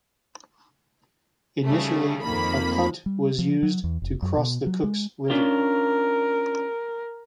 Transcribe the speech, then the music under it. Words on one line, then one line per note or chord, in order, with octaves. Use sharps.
Initially, a punt was used to cross the Cooks River.
C#3 G3 A3
F2 D#3 A#3 B5
G3
F3
F#3
E2
F1
F#2
B2
F#3
G#3
C#4 D4 F4 A#4